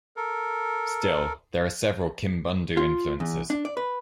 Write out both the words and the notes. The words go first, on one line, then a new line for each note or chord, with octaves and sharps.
Still, there are several Kimbundu influences.
A4 A#4
F4
E2
D4
D5
B4